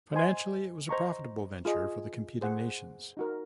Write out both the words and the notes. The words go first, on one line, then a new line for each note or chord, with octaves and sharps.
Financially it was a profitable venture for the competing nations.
C5 D#5 G#5 C6
C5 D#5 A#5 C#6
F4 G#4 D#5
G#4 C5 F#5
D#4 F#4 A#4